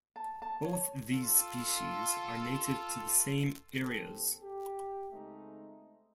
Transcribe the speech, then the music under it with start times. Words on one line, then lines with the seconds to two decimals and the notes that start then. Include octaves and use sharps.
Both these species are native to the same areas.
0.16 A5
0.42 A5
0.64 C#5
1.12 F4 A4
3.81 D#2 C4 G4 A4
4.41 G4
5.11 C#2 G#3 A3 C4 D#4